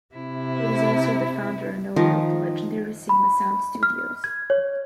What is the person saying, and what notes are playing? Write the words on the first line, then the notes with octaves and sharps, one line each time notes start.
He was also the founder and owner of the legendary Sigma Sound Studios.
C3 E4
D#3 F3 D#4
B5
F6
G#6
C#5